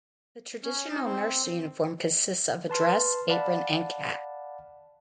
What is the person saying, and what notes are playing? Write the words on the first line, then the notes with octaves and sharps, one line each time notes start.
The traditional nurse uniform consists of a dress, apron and cap.
C#4
D#4
C4
B4 A5 C6 F6
D5 F5 F#5 A5 B5